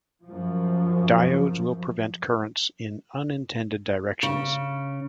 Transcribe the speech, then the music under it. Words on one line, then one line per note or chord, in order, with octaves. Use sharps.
Diodes will prevent currents in unintended directions.
F#2 F3
C#3